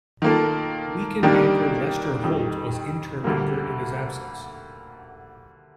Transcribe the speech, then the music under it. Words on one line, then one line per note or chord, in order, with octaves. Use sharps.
Weekend anchor Lester Holt was interim anchor in his absence.
D#3 A#3 F4 A4
D#3 G3 A#3 D4 G4
F2 D#3 G3
D2 D3 G3 A#3